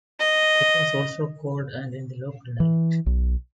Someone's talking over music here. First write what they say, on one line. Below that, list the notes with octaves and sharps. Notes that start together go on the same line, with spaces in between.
It was also called and in the local dialect.
D#5
E3
B1